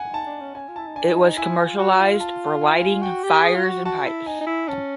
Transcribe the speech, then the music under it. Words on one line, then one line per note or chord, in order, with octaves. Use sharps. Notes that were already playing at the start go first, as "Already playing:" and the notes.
It was commercialized for lighting fires and pipes.
Already playing: F#5 G#5
D#4 A5
D4
C#4
C#4 G#5
F4
E4 A5
D#4
D4 G#5
D#4
D#4
E4 G#5
F4
F#4
F4
A5
G#5
G#5
F#4 G5
G4
G#4
F4
F#4
F#4 A5
E4
D#4 G#5
D#4
E4
C#4 A5